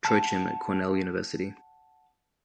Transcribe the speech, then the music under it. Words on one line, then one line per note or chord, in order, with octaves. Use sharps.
Trochim at Cornell University.
F#5 A5